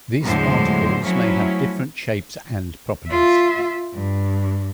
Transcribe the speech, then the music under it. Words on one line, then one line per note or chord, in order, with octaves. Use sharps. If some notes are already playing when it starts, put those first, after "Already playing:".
These particles may have different shapes and properties.
E2 A2 D3 F#3 G#3 C5
F3 F#3 A3 C#4 E4
F4 E5
G2